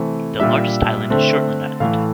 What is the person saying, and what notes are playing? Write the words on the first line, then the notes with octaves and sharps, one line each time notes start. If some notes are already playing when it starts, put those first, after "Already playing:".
The largest island is Shortland Island.
Already playing: C3 E3 A3 C4
A#2 G3 D4 E5
D3 A3 C4
A2 E3 A3 F5